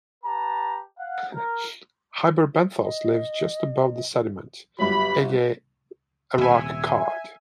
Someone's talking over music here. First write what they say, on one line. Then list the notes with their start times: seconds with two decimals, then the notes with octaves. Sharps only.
Hyperbenthos lives just above the sediment, e.g., a rock cod.
0.24 G4 B4 A5 A#5
0.98 F5 F#5
1.34 A#4
2.82 D#5
4.79 G1 F#3 G4 B5
6.38 D#1 C3 E5 G#5